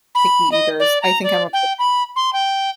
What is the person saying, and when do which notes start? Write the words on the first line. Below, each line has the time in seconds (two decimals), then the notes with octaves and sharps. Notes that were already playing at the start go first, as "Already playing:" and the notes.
picky eaters, I think I'm a p
0.15 B5
0.52 D#5
0.80 D5
1.02 A#5
1.24 D5
1.53 G5
1.79 B5
2.16 C6
2.33 G5